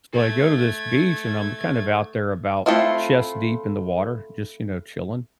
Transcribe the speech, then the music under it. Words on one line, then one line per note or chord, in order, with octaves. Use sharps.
so, I go to this beach, and I'm kind of out there about chest deep in the water just, you know, chilling
A3 G#6
A3 C4 E4 F4